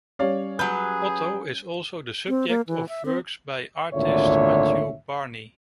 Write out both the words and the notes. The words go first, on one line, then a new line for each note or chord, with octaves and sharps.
Otto is also the subject of works by artist Matthew Barney.
G3 C#4 C#5 D5 F5
F#3 G#4 B4 G6
C4
A#3
E3
E5
C4
G#1 D2 A#2 D3 C#5 E5